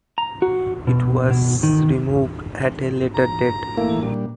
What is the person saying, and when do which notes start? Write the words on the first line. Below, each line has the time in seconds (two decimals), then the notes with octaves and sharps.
It was removed at a later date.
0.18 A#5
0.42 F#4
0.87 B2
1.30 B2
1.63 D#3
3.15 A#5
3.77 E3 A3 A#3 E4
4.03 A#2 G3 D4